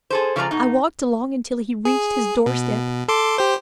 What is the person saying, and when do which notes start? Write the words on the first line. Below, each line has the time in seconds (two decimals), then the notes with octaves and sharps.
I walked along until he reached his door step.
0.10 G#4 A4 C5
0.36 C#3 F3 G#3 C#5 D5 A#5
0.51 B2 D#4
1.85 G#4
2.46 B2
3.08 A4 C6 D6
3.38 G4 C5